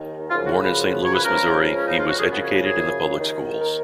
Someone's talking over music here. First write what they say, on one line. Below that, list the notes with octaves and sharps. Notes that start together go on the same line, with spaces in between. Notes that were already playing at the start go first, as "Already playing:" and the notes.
Born in Saint Louis, Missouri, he was educated in the public schools.
Already playing: D#2 D#3
F#2 C#3 F3 F4
F#4
B4
C#5
B4
C#2 C#3 F3 A#4
C#4
D#4
F4
F#4
F#2 C#3 F3 G#4
B3
C#4
G#4
D#2 D#3
A#4